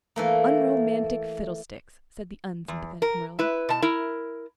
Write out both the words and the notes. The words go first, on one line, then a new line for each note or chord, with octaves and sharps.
"Unromantic fiddlesticks!" said the unsympathetic Marilla.
E3 A3 A#3
E2
A#4
E4 B4
B2 A5
E4 A#4